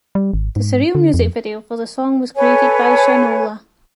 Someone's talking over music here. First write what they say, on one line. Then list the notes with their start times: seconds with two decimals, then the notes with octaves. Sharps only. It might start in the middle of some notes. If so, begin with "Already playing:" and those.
The surreal music video for the song was created by Shynola.
0.15 G3
0.33 G#1
0.56 G#2
0.95 D3
1.14 F2
2.36 A4 B4 C#5 G#5